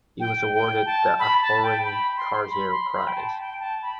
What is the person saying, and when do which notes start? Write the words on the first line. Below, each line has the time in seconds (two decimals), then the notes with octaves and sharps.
He was awarded the Aharon Karzir Prize.
0.20 G5
0.54 G5
0.86 A5
1.20 B5
1.42 A5
1.63 G5
1.85 B5
2.17 C6
2.50 B5
2.72 C6
2.94 B5
3.07 G5
3.17 A5
3.38 G5
3.60 A5
3.82 B5